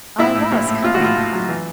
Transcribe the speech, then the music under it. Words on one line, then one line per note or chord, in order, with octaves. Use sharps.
"I was coming."
A#1 E4
A2
A#1
A2
A#1 F4
F#4
A2 F4
A2
F#3
E3